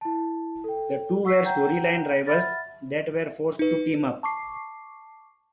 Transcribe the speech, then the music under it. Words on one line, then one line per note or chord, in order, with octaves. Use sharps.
The two were storyline rivals that were forced to team up.
E4 A5
A4 G5
F#5 C#6 E6 B6 C7
F#5 G5 A#5 G6
E5 F#5 B5 F6 A6
D#4 B4
A5 C#6 D6 C7